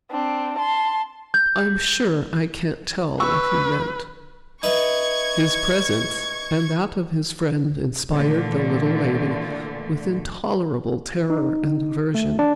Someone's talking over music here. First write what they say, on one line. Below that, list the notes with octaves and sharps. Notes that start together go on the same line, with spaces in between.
"I'm sure I can't tell what he meant." His presence and that of his friend inspired the little lady with intolerable terror and aversion.
C4 D4
A5 C6
G6
B4 C#6 E6
D#4 B4 E5 C#6 G#6
A#2 D3 E3 A3
D#4
A3
D4